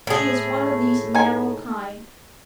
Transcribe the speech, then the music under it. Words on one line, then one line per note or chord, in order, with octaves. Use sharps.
She's one of these narrow kind.
A2 G#4
D#4 G#5